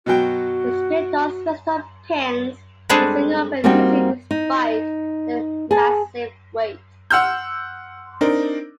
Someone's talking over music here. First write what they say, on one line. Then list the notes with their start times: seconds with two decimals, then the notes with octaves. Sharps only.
The split doors rest on pins and swing open easily despite their massive weight.
0.06 B2 F#3 F#4 G5
2.89 G3 G#3 C4 D4 G#4 A4
3.64 G3 A#3 C4 D#4 F#4 G5
4.31 D#4
5.71 G#4 A5
7.10 F#5 C6 E6 F6 G6
8.21 C4 D4 D#4 A#4